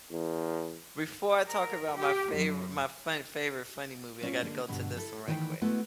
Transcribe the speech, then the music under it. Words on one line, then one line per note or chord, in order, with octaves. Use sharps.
Before I talk about my favori my fun favorite funny movie, I gotta go to this one right quick.
E2
A#4
G4
F#2
A2 C#4 F4
D3 A#3 G#4
G2 B2 D3
E4 A4
D2 D#3 E3 A#4 B4 G5
G#3 A3 B3 E4 F#4 A4